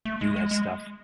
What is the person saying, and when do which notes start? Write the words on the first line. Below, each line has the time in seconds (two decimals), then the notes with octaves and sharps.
do that stuff
0.05 A3
0.21 G#3
0.36 G#3
0.51 G#3